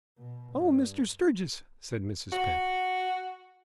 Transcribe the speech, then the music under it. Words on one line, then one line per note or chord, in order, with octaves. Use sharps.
"Oh, Mr. Sturgis," said Mrs. Pett.
B2
G2
F#4